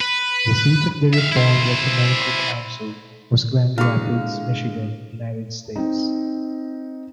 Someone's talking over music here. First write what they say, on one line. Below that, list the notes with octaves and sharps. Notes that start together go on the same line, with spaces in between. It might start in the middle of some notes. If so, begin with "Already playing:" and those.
The seat of the Reformed Ecumenical Council was Grand Rapids, Michigan, United States.
B4
E5 F5
E4 C5
D3 G#3 E4 F#4 G#4 F5 C#6
C4 D#4